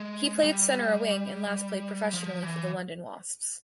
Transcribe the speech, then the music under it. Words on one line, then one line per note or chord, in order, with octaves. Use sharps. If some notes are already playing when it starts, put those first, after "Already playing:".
He played centre or wing and last played professionally for London Wasps.
Already playing: G#3
G#3
G3
F3
E3